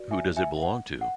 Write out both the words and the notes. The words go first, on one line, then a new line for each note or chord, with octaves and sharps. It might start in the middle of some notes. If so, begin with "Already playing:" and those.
Who does it belong to?
Already playing: F#4 B4 D5
E5 G#5
E5 G#5
E5
F#5
F#5